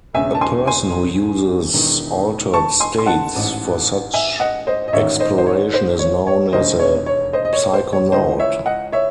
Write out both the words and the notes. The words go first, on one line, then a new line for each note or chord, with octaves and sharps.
A person who uses altered states for such exploration is known as a psychonaut.
E1 E2 C#3 E3 E5 G#5
A5
G#5 C6
G#5 C6
E1 E2 D#3
A5 C#6
G#5 C6
C6
F#5 A5
A1 G#2 E3
E5 G#5
D#5 F#5
C5 D#5
D#5
A1 G#2 D#3 C#5 E5
C5 D#5
C5
C#5
C5
C#5
C#5
E1 D#2 D#3 C5 D#5
C#5
C#5
C5 D#5
D#5
C#5
C5
C#5
C#2 C#3 E3 C5 D#5
C#5 E5
D#5 F#5
C#5 E5